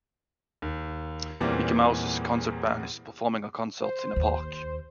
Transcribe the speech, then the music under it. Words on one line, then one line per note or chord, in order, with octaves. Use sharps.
Mickey Mouse's concert band is performing a concert in a park.
D#2
E2 A#2 E3 G3 A#3 C4
C5
D#2